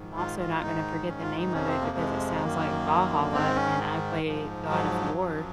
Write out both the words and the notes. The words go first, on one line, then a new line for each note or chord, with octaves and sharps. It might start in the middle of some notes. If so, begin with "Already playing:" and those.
I'm also not gonna forget the name of it because it sounds like Valhalla and I play God of War.
Already playing: G#2 D#3
F4
F4
G#2 D#3 D#4
C#4
F4
D#4
F2 C3 F3 C#4
C4
A#3
G#3
F#2 D#3 A#3
G#2 D#3 C4
C#4
G#2 F3
F#3
F#2 F3